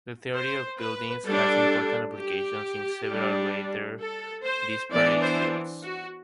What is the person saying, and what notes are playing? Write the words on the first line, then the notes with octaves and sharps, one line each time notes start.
The theory of buildings has important applications in several rather disparate fields.
C5
B4
G3 A4
D4
G4
G3 D4
A4
C5
E3 B3 D4 D5
C5
F#4